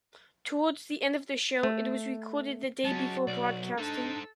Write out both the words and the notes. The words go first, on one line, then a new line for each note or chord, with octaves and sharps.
Towards the end of the show, it was recorded the day before broadcasting.
A3
F#3 G#3 C#4 A5
B1 D5
D4 D#4 A4 C5